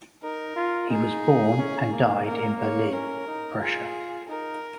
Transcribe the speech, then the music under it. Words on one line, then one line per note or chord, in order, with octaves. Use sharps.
He was born and died in Berlin, Prussia.
D#4 A#4
F4
D#4 G#4
C#4
A#3
A#3 A#4
C#5
C#4 A#4
D#4
F4 G#4
D#4 A#4